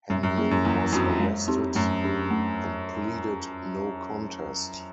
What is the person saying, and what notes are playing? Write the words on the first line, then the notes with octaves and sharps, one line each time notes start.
Henley was arrested and pleaded no contest.
F#2 G3
F#2
A#3 C#4 E4 G#4
F#2
E2 A#3
F2 D4 F#4
G#3
C4 D#4 G4
F#2 A3
D4 G4
A3